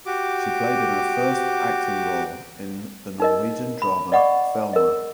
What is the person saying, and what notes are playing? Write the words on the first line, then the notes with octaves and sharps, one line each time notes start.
She played her first acting role in the Norwegian drama "Thelma".
F#4 G4 D6
D#4 A#4 D#5
B5
D5 D#5 F#5 B5 C#6 D6
A#4 D#5